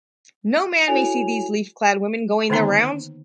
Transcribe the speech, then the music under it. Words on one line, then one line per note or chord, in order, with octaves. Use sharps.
No man may see these leaf-clad women going their rounds.
E4 F#4 A4 C#5 G#5 F7
D3 D#3 A#3 B3 D#4 A#5